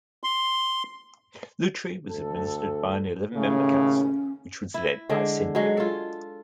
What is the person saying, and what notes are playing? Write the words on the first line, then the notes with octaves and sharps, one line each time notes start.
Lutry was administered by an eleven-member council which was led by a Syndic.
C6
D2 A4
D#2 A2 C#3 C#4
E4
D3 G#3 D4
F#3 G#3
F4 A4